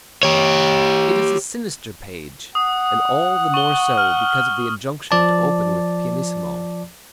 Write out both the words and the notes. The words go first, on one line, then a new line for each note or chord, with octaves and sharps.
It is a sinister page, and all the more so because of the injunction to open with pianissimo.
G4 C#5
F#5 D#6
C#6 F#7 G7
F6
F3 D5 A5